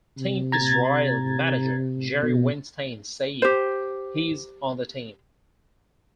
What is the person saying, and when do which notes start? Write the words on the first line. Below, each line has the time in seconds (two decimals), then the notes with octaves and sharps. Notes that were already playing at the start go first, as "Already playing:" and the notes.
Team Israel Manager Jerry Weinstein said: He's on the team.
0.17 C3
0.52 A#5 G#6 A6
2.23 B2
3.42 G4 C5